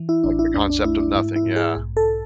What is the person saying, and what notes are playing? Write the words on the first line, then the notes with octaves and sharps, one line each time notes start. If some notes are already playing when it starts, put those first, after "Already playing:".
Like, the concept of nothing, yeah.
Already playing: E3
E4
A1 D4
E4
E2 D4
D4
A3 E4
D4
G#2 E4
E4
G#2
G#4
B1
A4